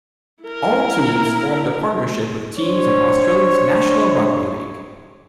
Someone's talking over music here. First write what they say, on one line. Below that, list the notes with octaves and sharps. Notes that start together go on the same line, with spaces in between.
All teams formed a partnership with teams in Australia's National Rugby League.
E4 A#4
D4 C5 C#5